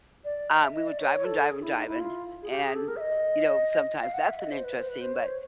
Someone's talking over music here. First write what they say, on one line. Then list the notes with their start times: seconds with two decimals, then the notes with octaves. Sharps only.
um, we were driving, driving, driving, and, you know, sometimes that's an interesting, but
0.24 D5
0.50 D#5
0.62 E5
0.75 D#5
0.87 D5
1.00 C#5
1.25 A4
1.50 G#4
1.62 E4
1.75 D#4
1.88 E4
2.00 F4
2.43 G#4
2.51 G4
2.63 G#4
2.76 A4
2.88 A#4
2.97 E5
3.01 D#5
4.01 F5
4.14 F#5
4.26 E5
4.39 D#5
4.51 C5
4.64 B4
4.76 C5
4.89 B4
5.01 C5
5.14 C#5
5.26 C5